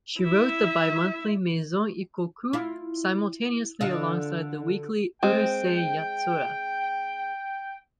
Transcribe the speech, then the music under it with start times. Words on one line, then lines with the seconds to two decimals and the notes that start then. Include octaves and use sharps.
She wrote the bimonthly "Maison Ikkoku" simultaneously alongside the weekly "Urusei Yatsura".
0.20 E4 E5
2.53 E4 F4
3.81 D3 F4 D#5
5.23 G#3 C4 G5